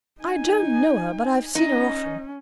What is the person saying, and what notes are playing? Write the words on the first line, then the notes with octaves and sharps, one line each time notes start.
I don't know her; but I have seen her often.
D#4 G#5
C#4 D#4